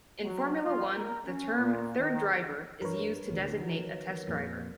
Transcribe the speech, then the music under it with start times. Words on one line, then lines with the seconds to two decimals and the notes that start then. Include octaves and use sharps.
In Formula One, the term third driver is used to designate a test driver.
0.23 F#3
0.64 F4
0.95 A#4
1.25 C#4
1.58 A#2
1.99 D#3
2.82 G2 A#4 B4 C#5
3.30 A1 D2 B2
3.60 D#3 F#3
4.28 F2 A#2 G3